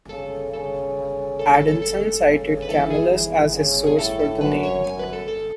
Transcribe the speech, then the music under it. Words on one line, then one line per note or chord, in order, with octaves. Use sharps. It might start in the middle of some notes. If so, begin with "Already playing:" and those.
Adanson cited Camellus as his source for the name.
C#3 A4
C#3 A4
A4
A4
A4
A4
C#3
B4
E3 A4
G#4
E3
C#3
G#4
A2 A4
A4
F#2 B4
C#5
F#2 G#5
B4
A4
A4